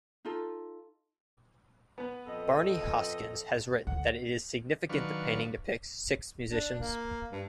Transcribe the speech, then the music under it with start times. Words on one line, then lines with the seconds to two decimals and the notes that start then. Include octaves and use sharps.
Barney Hoskyns has written that it is significant the painting depicts six musicians.
0.25 D#4 F4 A4
1.98 B3 B4
2.27 F2 A4 D#5
3.87 D2 F#5
4.89 D#3 F#3 D4 B4 F5 C#6
6.51 D4
6.80 A#3
7.32 G2